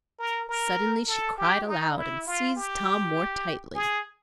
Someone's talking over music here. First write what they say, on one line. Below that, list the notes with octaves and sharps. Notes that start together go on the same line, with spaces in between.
Suddenly she cried aloud and seized Tom more tightly.
A#4
A#4
A4
G4
D#4
E4
F4
G4
G#4